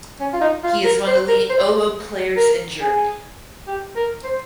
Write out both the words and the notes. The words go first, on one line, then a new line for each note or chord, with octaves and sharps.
He is one of the leading oboe players in Germany.
C#4
F4
D#4
F4
A#4
C5
A#4
C5
A#4
G#4
G4
A#4
C5